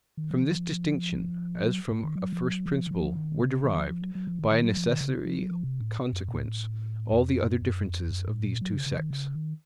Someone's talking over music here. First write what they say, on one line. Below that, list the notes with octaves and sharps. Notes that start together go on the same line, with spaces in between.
From this distinction, as from a first principle, were derived, by a necessary consequence, all the other differences of these two sects.
D#3
F3
D#3
F3
F#3
A2
D#3
F#3
F3
F#3
F3
D#3
F3
D#3
C#3
D#3
F3
F3
F#3
F#3
F3
D#3
D#3
F#3
F3
D#3
C#3
F3
F#3
F3
C3
A2
F#2
A#2
A2
F2
F#2
F#2
F2
F#2
A2
A#2
F#3
C#3
C#3
D#3
C#3
D#3